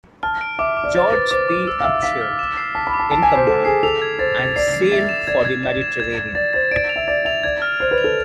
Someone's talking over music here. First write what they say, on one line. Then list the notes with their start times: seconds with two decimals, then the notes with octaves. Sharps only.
George P. Upshur in command, and sailed for the Mediterranean.
0.23 A5 F6
0.41 D7
0.59 E5 D6
0.77 D6
0.84 D5
0.95 C5 A6
1.12 B4 A6
1.31 C5 D6
1.48 D6
1.67 E6
1.80 F5
1.84 E5 E6
2.02 F5 B6
2.21 F6
2.39 E7
2.57 C7
2.75 A5 B6
2.87 B5
2.94 D6
3.00 A5
3.11 A5 D7
3.23 G#5
3.29 B6
3.35 C5
3.47 A4 E7
3.65 G#4 C7
3.83 A4 F7
4.02 G#6
4.19 C5 A6
4.38 A6
4.56 D5 C7
4.73 C7
4.92 E5 A6
5.09 E7
5.27 D5 G#6
5.45 G#6
5.63 D5 E7
5.82 E7
6.00 G#6
6.18 G#6
6.35 D5 A6
6.53 C5 A6
6.71 D5 D7
6.89 F7
6.96 E5
7.08 D5 A6
7.25 E5 F7
7.43 D5 G#6
7.62 F6
7.80 C5 F6
7.91 B4
7.98 F7
8.04 A4